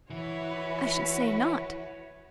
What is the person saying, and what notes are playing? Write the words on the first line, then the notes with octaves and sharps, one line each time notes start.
I should say not!
E3 F#4 B4 C#5 E5 B5